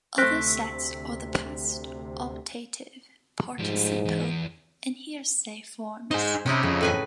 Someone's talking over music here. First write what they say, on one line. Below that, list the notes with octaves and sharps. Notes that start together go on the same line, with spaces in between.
Other sets are the past, optative, participial and hearsay forms.
D2 C3 A3 C4 F6 F#6 A#6 B6
G#2 F3 G3
E2
D#4 G#4 C5
C3 C#4 D#4 E4
F2 C#3
A2 B4 G#5